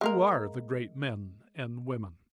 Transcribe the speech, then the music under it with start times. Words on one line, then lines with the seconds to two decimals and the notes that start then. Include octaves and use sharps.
Who are the great men and women?
0.01 G#3 A#3 A#4